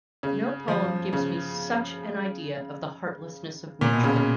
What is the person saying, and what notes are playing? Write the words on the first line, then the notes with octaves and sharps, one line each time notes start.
No poem gives me such an idea of the heartlessness of Nature.
C#3
F3
C#3
A#2
B2
C#3
C#3